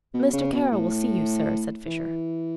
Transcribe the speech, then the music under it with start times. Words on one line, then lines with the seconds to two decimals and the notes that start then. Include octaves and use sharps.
"Mr. Kara will see you, sir," said Fisher.
0.14 B2
0.33 C#3
0.53 B2
0.71 A2
1.86 E3